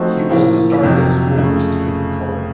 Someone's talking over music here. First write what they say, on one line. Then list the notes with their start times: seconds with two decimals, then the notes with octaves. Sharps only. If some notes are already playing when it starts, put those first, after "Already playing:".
He also started a school for students of color.
Already playing: F3 A3 C4 D#4 F#4
0.29 A2 F3 A#3
0.83 F2 C3 F#3
1.36 F2 C#3 A3